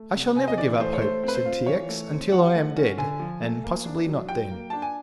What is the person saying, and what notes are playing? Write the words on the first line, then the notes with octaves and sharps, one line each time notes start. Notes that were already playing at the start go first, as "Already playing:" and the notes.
"I shall never give up hope," said T. X., "until I am dead, and possibly not then."
Already playing: A3
C3
C3 G#5
D#5
E3 D5
A3 C5
C#5
A3 C5
C4 B4
C5
F4
E3 C#5
A3
C4
F3 F#5
A3
C#4
D3 G#5
F3
A3
A#3
D4
F#3
F#3 G5
A#3
D4 A5
G#5